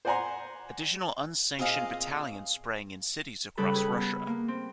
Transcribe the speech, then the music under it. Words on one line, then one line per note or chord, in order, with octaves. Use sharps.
Additional unsanctioned battalions sprang in cities across Russia.
C5 D5 F#5 G#5 A#5 C6
A#2 C4 G#4 D#5 F5
C#3 G3 A4 B4
G#4 B4
B3
A#3
C4